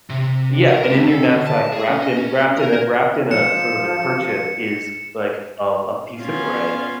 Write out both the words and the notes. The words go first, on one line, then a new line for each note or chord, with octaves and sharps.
Yeah. And in your knapsack, wrapped in wrapped in a wrapped in a sort of a kerchief is, like, a a piece of bread,
C3
A#4
C#2
A4
D3
A5
G#4
C#4
D#5
C#4
A#4
F3 C#7 E7
B3 C#4 F4